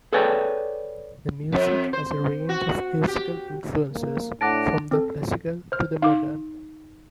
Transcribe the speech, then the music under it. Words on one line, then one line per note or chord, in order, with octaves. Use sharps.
The music has a range of musical influences from the classical to the modern.
G#4 A4 B4 C#5 D5 G5
F2
C5
F#4
G4
A#3
A2 D4 F#5 A5 D6 A#6 D7
C4 A4
C5 F6
D#4 F5 D6